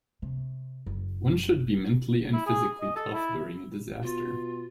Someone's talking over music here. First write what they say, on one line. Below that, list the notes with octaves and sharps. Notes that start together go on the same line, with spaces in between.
One should be mentally and physically tough during a disaster.
C3
F#1
E4
G#4
D#5
A4
E4
B2 F4